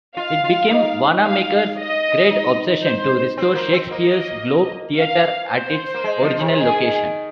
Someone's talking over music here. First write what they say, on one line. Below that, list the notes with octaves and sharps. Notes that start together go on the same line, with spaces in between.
It became Wanamaker's "great obsession" to restore Shakespeare's Globe Theatre at its original location.
F4 F5
F4
D#4
F5
D#5
D#4
C5
C4 C5
A#3
C4
A#3 D#5
F5
C5
A#3
G#3
F3
C3
D#3 G#4